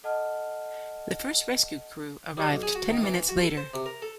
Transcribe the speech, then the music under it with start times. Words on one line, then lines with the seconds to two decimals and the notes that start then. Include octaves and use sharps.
The first rescue crew arrived ten minutes later.
0.04 A4 D#5 F#5 A5 F6
2.37 G3
2.50 B1
2.63 G#4
2.75 F#4
2.90 D#3
3.03 E3
3.29 F#4
3.43 A4
3.57 C5
3.74 C3
3.86 A#4
4.02 A4